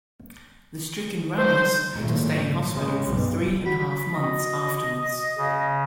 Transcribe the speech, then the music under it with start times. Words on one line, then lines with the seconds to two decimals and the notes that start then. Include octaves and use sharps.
The stricken Ramos had to stay in hospital for three-and-a-half months afterwards.
1.38 C5
1.92 G#1 D2 A#2 F#3 A3
2.73 C#3 G#3
3.06 B1 G2
3.66 F#4 B5
4.14 D#5
5.38 C#3